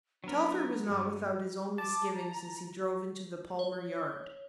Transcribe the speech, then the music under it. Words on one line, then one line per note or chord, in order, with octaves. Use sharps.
Telford was not without his own misgivings as he drove into the Palmer yard.
F#3 B3 D4 A#4
G2 F#4
A5 D6
A#5
C#5